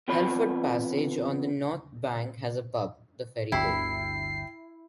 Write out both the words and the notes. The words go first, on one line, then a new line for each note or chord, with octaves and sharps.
Helford Passage, on the North bank, has a pub, The Ferryboat.
E2 B3 C4 F4 C#5 B5
G1 D2 E4 G5 B5 C7